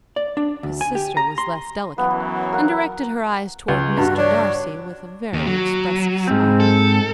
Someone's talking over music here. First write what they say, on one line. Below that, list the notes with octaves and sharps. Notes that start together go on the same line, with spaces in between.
His sister was less delicate, and directed her eyes towards Mr. Darcy with a very expressive smile.
D5
D4
D2
G#5
G4
A#5
C6
F#2 E3 F#3 B3
A#4 F#5
C#2
G2 F#4
D4 C#5
D#2
F#3
G#2 C4
A4